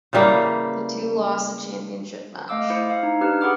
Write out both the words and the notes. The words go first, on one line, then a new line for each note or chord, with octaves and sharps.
The two lost the championship match.
C#3 E3 G3 A#3
A3 D#5 F5 D6 E6
E4 C5 C#7
F5
D#4
D4 G4 B4 F6
G#4 F#5 B5 D6 F6